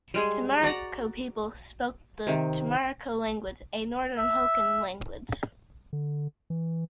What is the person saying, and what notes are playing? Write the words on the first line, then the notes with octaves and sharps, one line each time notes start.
Chimariko people spoke the Chimariko language, a Northern Hokan language.
G3 G#3 G#4
F#4 D5 F#5 A#5
C3 D#3
E5
D3
E3